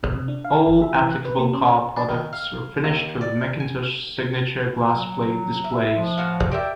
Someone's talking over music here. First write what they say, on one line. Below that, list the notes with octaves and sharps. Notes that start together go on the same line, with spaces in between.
All applicable car products were finished with McIntosh's signature glass plate displays.
B2
C3
D4
F5
G1
E5
E3
F#6
B4
A#3
C#4
C#5
D4
D#3
F5
D#2
D5
G#5
F#3
E5
F3 G#3
A2 F#4 F5
G4 A#4 D5 E5 G5